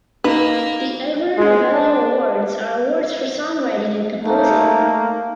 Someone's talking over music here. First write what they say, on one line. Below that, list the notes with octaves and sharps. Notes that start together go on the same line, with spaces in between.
The Ivor Novello Awards are awards for songwriting and composing.
A#3 D#4 B4
G#3
D4
A3 A#3 D#4